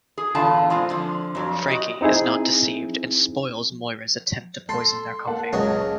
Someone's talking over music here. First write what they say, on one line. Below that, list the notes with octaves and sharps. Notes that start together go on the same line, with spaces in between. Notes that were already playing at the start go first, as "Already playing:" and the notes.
Frankie is not deceived and spoils Moira's attempt to poison their coffee.
G#4
E2 A#2 D3 F4 A5
G#3 C4 F4
D3 F3
F2 F#3
F#4 G4 D#5
C4 D#4 E4 G#4
A4 C6 C7
A#3 F#5 A5
C#2 F#3 G#4 C#5 D#5 A5